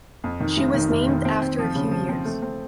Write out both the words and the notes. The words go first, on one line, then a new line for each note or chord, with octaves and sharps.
She was named after a few years.
F2
D#3
F1
D#3
F1
D#3
C4
C4
F3
C#3
F3
C4
A3
C4